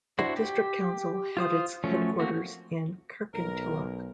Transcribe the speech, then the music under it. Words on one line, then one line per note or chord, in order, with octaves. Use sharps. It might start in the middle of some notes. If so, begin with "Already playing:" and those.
The district council had its headquarters in Kirkintilloch.
D4 E4 F#4 C5
G4
F4 C5 D#6
F3 F#3 A3 C#4
A3 A#3 C4 F#4
B1 A#4